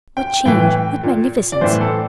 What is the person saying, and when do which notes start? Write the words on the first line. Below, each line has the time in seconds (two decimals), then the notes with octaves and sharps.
What change--what magnificence!
0.17 G5
0.45 A2 E3 G5
1.03 A#2
1.52 D5
1.61 A2 E3 C5
1.81 A4